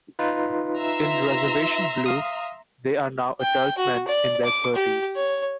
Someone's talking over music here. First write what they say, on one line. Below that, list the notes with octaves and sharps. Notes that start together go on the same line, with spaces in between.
In "Reservation Blues" they are now adult men in their thirties.
D#4 F4 B4
E5 A#5 C6
F5 D#6
G5
F#4
D5
D6
G4
C#5